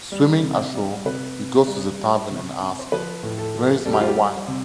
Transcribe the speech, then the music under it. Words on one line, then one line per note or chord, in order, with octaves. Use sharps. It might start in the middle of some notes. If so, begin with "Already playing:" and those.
Swimming ashore, he goes to the tavern and asks "Where is my Wife?".
G3
C3
G3
C3 B4
C3
G3
G3
C3
C3
C5
F3 B4
A2
A4
F3
G3 A4
G4
F4
G4
G3
C3